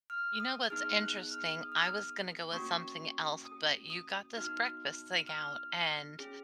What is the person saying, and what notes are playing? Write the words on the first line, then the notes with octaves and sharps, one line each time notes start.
You know what's interesting? I was gonna go with something else, but you got this breakfast thing out and
F6
D#6
B3 D#4 G#4 F6
F#6
F6
D#6
F6
D#6
A#3 C#4 F#4 C#6
D#6
D#6
B3 D#4 F#4 F6
F6
C#4 G#4